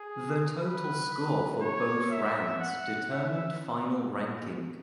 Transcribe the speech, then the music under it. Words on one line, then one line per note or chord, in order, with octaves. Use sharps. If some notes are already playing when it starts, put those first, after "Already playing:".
The total score for both rounds determined final ranking.
Already playing: G#4
B4
C#5
E5
F#5
E5